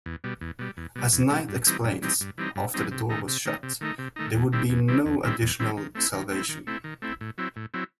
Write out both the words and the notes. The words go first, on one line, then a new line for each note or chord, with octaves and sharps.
As Knight explains, After the door was shut, there would be no additional salvation.
E2
B2 G3
E2
B2 G3
E2
B2 G3
E2
B2 G3
G2
E3 G3 C4 D#4
G2
E3 G3 C4 D#4
G2
E3 G3 C4 D#4
G2
E3 G3 C4 D#4
C3
D#3 A3 D#4
C3
D#3 A3 D#4
C3
D#3 A3 D#4
C3
D#3 A3 D#4
E2
D#3 G3 C4 E4
E2
D#3 G3 C4 E4
E2
D#3 G3 C4 E4
E2
D#3 G3 C4 E4
D#3
A3 C4 E4
D#3
A3 C4 E4
D#3
A3 C4 E4
D#3
A3 C4 E4
A2
F#3 C4 E4
A2
F#3 C4 E4